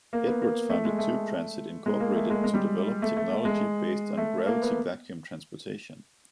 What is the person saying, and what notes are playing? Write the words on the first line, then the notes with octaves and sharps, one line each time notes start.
Edwards founded Tube Transit, Incorporated to develop technology based on "gravity-vacuum transportation".
A#3
B3
A#3
A3
G#3
A3
G#3
A#3
A3
G#3
G#3
G3
A3
A3
A3
G#3
A3
A#3
B3